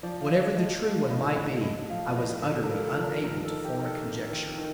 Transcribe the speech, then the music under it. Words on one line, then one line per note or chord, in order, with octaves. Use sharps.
Whatever the true one might be, I was utterly unable to form a conjecture.
F3 D5
F5
F3 D#5
F3 D#5
F3
A2 D#5
A2 D#5
A2 D#5
F3 F5
D5
A2 D#5
A2 D5
A4
A#4
F3
A4
F3
A#4
D#3 A#4
A#4
A4
D#3
G4
D#3 A#4
A4
C3
D#3
D#3